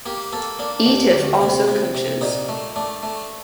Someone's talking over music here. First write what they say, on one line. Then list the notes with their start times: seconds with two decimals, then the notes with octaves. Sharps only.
Eatough also coaches.
0.06 A#3 G4
0.33 A#3 A4
0.59 A#3 D4
0.86 D#2
1.13 D2
1.41 C3
1.68 C3
1.95 C3
2.21 A#2 D#4
2.49 A3
2.76 A3 D4
3.03 A3